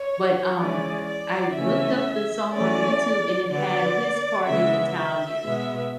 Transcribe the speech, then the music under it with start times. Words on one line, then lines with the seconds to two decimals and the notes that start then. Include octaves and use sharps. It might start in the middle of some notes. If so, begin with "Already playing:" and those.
but, um, eh, I looked up the song on YouTube, and it had his part in Italian,
Already playing: C#5
0.59 E3 G#3 C#4 D5
1.07 D5
1.55 C#3 E3 A3 C#4 E5
2.52 E3 A3 C#4 D5
3.49 D3 F#3 B3 D5
4.46 C#3 E3 G#3 B3 E5
4.94 E5
5.43 B2 G#3 B3